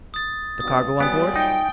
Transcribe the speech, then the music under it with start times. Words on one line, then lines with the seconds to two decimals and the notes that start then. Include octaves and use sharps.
"The cargo on board?"
0.14 D#6 A6
0.60 G2 B2 D#6
1.00 A#2 F#3 G3 B3 G#5 D#6
1.36 D#4 G5